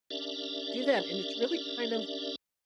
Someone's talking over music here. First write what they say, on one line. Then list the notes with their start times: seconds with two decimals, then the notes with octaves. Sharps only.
do that, and it's really kind of,
0.10 C#4 D4 G4 A#4 D5 E5